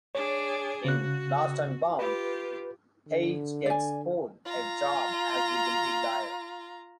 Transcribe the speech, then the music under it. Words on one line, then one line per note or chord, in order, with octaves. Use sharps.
In "Lost and Bound", Paige gets Cole a job as a legal aid lawyer.
D4 G#4 C#5
C#3 F#4 F#6
F4 G4 B4
D3
D5 G#5
F4 A#5